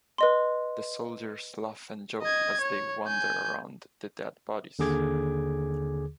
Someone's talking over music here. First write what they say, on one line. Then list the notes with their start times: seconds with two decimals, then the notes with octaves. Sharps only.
The soldiers laugh and joke as they wander around the dead bodies.
0.18 B4 D#5 C6
2.22 D#5 G#6
2.61 C#5
3.07 G#5 G6
4.79 D#2 D3 G#4 D6 G#6